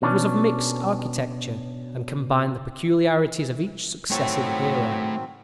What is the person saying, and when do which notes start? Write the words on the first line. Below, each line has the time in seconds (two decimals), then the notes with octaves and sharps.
It was of mixed architecture, and combined the peculiarities of each successive era.
0.02 B2 C#4 D4
4.10 D#3 F#3 A3 C4 C#5